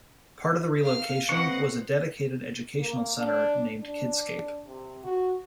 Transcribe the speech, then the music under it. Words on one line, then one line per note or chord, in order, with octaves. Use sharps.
Part of the relocation was a dedicated educational centre, named Kidscape.
F5 F6
C4 B4 D#5 F#5 C#6
A#3
D4
D4
C3
F#4